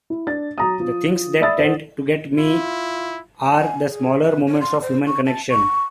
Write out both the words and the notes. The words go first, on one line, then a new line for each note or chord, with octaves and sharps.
The things that tend to get me are the smaller moments of human connection.
E4
D4 A6
F#3 A#5 D#6
F3
D5 E5 B5 D#6 E6 A6
A4 C5 F#5
E4 F4
G#5
G#4
B4
C#5
C6
C5
C#6
A5
C#6